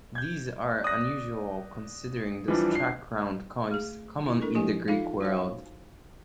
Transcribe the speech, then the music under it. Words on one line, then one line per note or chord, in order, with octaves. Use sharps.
These are unusual considering the struck, round coins common in the Greek world.
G6 G#6
D5 D#6 F#6 A#6
E3 F3 G3 D4
D4 C7
A3 G#4
E4
D4 A4 A#4 C#6
F3 E4 G4 D#5 G#5
D#4 F4 A4 F5
F#4 C5 F5